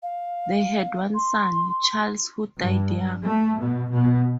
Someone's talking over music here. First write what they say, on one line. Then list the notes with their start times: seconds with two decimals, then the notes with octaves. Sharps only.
They had one son, Charles, who died young.
0.03 F5
1.15 C6
2.57 G2
3.23 A3
3.58 B2
3.88 B2